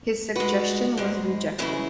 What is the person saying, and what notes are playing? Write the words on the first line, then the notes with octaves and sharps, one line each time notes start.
This suggestion was rejected.
G#2 G#3 F#4 B4
G#2 G#3
F#2 C#3 E3 E4 G#4